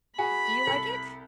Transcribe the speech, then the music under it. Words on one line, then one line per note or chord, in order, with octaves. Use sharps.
Do you like it?'
F#4 G#4 G#5 B5
C2 A4 C#7